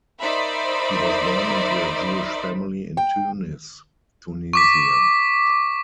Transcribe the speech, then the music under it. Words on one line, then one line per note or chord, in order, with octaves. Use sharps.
He was born into a Jewish family in Tunis, Tunisia.
D#4 A#4 C5 D5 E5 B5
G5
C#6 D6 B6